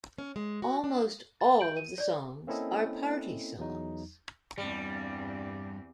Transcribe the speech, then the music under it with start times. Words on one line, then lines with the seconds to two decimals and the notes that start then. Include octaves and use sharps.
Almost all of the songs are party songs.
0.18 C#4
0.36 G#3
0.62 F#4
0.84 D4
1.41 A6
1.59 G6 D7 F#7
1.77 D#7
1.98 C#5 D5
2.47 A#3 C4 C#4 E4 A4 D#5
3.59 E2 F#3 D#4
4.58 E2 G2 G3 C4